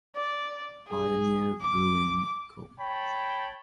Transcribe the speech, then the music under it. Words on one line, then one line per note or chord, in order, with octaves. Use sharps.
Pioneer Brewing Co.
D5
G#4
D6
C#5 G5 A5 B5